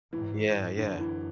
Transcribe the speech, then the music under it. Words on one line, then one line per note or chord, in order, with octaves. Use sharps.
Yeah, yeah.
G#2 E3
F#2 D3
E3